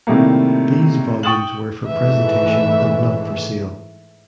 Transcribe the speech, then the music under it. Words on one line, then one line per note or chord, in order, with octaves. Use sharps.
These volumes were for presentation and not for sale.
A2 C3 D#3 G3 A3 A#3
G5 C#6 D#6 A6 E7 F#7
G#2 E3 A3 E5